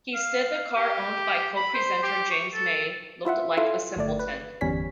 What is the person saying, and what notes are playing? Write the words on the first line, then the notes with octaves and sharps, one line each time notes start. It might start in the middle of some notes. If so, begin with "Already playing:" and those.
He said the car owned by co-presenter James May looked "like a simpleton".
F5
G4
B5
C5
G4
C#6
A4
E4 F4 E5 F#5
E4 F4 A4 E5
G1 A3 D5
B4
G1 E2 G3 C#4 C#5 B6